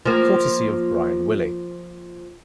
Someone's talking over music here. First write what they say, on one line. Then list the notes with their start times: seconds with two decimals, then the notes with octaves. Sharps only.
Courtesy of Bryan Willy.
0.05 F3 A#3